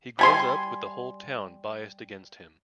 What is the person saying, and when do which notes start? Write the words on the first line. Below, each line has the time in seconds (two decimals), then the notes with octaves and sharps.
He grows up with the whole town biased against him.
0.19 G3 G#5 C6